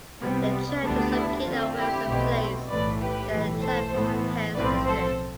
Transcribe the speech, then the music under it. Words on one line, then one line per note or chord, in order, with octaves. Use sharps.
The church is located at Wilson place, in the Charpennes district.
C2 C3 G3 B3
D2 D3 G3 B3 D4
E4
F2 D3 F3 C4 F4
E4 G4
B1 B2 A3 C4
B1 A2 E3 A3 B4 D5
G4 B4
B1 A2 E3 A3
A4 C5
A2 E3 B3
B1 A2 F3 C4 B4 D5
A4 C5